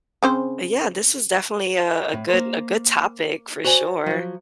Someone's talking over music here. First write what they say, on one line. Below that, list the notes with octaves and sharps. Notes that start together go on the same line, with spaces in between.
Uh, yeah, this was definitely a a good a good topic for sure.
C#3 C4 C5
A2
A#3 C5
F#4 C5 D5 G#5
F3 F#3